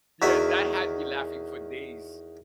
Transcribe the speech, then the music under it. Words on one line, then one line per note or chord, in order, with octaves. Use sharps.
yeah, that had me laughing for days.
E2 D#3 F#4 E5